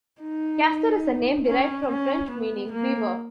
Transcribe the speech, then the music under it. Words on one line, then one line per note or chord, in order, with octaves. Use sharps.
Castor is a name derived from French meaning "beaver".
D#4
C#4
C#4
B3
A#3